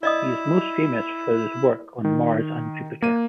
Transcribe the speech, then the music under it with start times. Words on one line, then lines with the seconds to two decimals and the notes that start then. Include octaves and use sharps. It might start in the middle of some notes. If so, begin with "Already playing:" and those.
He is most famous for his work on Mars and Jupiter.
0.03 E4 D5 D#5 D#6
2.05 D#3
3.02 A#3 D#7